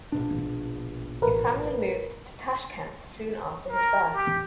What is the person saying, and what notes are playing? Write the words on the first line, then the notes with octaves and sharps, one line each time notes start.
His family moved to Tashkent soon after his birth.
A#1 B2 D4
A1 A#4 B4
A#4
G4